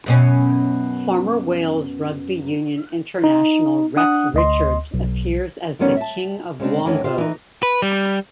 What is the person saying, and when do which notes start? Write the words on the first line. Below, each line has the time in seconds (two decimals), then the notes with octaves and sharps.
Former Wales rugby union international Rex Richards appears as the King of Wongo.
0.06 F#2 B2 C#4
3.24 D#4
3.96 D4 F#5 D#6 F#6
4.34 D2 D#5 C6
4.94 B1
5.79 F2 D#3 G3 B3 C#4 D#4
5.97 E5 A5
6.60 C#3 G#3 C4 D4
6.85 F#2 D#3 E3 A3 C#4 D4
7.04 F4 G4 C5 E5
7.18 E3 D#4
7.63 B4
7.82 G3